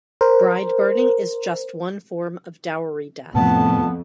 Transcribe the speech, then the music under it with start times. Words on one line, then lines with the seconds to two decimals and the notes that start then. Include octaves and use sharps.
Bride burning is just one form of dowry death.
0.21 A#4 C5
3.35 F2 A2 C3 A3 B3 A5